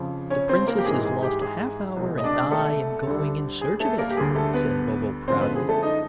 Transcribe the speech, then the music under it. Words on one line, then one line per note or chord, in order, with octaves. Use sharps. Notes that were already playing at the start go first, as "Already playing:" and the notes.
"The Princess has lost a half-hour and I am going in search of it," said Bobo, proudly.
Already playing: F2 C#3 F3
C#4 C#5
C4 C5
A#3 A#4
G4
G#2 E3 G#3 G#4
G#4
G4
G#4
C2 B2 G#3
D#5
D4 D5
A3 A4
D2 D3 G3
G#4
A3 A4
A#3 A#4
G4
D2 D3 G3 G#4
A3 A4
B3 B4
F#2 D3 F3 G#3 C4 C5
B3 B4
G#4
A3 A4
D#4 D#5